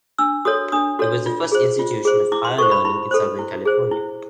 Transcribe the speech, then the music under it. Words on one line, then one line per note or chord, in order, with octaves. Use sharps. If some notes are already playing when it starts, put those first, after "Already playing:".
It was the first institution of higher learning in Southern California.
D4 E6
F#4 A4 C#5 D#6
D4 D#6
F#4 A4 C#5
F4
G#4 C5
F4
G#4 C5
E4 D6
C6
A4 C5 C#6
B5
E4 B5
A4 C5
E4
G#4 C5
E4